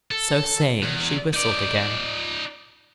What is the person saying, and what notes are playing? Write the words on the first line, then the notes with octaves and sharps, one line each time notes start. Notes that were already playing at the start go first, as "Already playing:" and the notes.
So saying, she whistled again.
A4
E2
D#4 D5